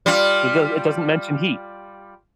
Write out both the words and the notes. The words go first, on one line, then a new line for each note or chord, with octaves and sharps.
It does it doesn't mention heat.
G3 F4